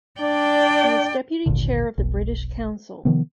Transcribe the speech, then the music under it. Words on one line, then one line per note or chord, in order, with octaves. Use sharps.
She is deputy chair of the British Council.
D4 D5 G5
G#1 D2 A#2 D3
F1 B1
C3 D#3 F3 B3